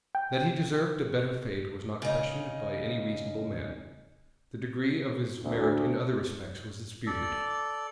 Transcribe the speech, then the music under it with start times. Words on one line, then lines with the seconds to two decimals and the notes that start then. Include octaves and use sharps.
That he deserved a better fate was not questioned by any reasonable man: the degree of his merit in other respects was disputed.
0.15 G5
2.02 C#3 D#4
5.42 D2
7.07 A4 D5